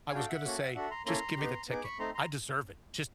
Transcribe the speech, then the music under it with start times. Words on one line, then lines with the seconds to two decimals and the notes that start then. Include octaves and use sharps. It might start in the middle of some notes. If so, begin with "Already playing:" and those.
I was gonna say, just give me the ticket, I deserve it, just
0.09 G#5
0.13 D4 F#4 A4 F5 G5
0.29 E5 F#5
0.44 A#3 C#4 F#4 A4
0.75 D4 F#4 A4 E5 F#5
0.91 A#5 C6
1.06 A#3 C#4 E4 A4 A#5 C6
1.38 B3 D#4 G4
1.68 B3 D#4 G#4 D6
1.84 B5 C#6
1.99 A3 C4 D#4 A#5 C6
2.15 A#5 C6